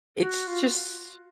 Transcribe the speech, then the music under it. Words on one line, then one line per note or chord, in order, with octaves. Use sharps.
it's just
F#4
F4